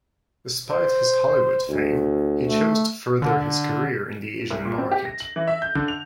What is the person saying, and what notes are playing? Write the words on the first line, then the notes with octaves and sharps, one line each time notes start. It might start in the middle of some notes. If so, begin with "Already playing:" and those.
Despite his Hollywood fame, he chose to further his career in the Asian market.
C5
D2
A3
D3
C2
A#2
C4
G4
A#6
F#7
E3
E5
G6
D3
F7